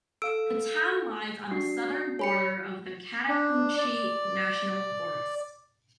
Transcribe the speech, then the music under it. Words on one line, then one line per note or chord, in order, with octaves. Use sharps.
The town lies on the southern border of the Chattahoochee National Forest.
A4 F5 E6 D7
D4 F#4 C7
C#5 B5 C#7
D4
D5